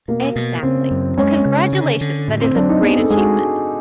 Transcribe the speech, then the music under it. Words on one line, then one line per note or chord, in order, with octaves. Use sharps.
Exactly. Well, congratulations, that is a great achievement.
B2 A#3
B2
C#3 C4
F#2
G#3 C#4
C#3
D3
D3
A2
C4
F#3 D4
D#4
B3 G#4
A4
G#3 G#4
F#4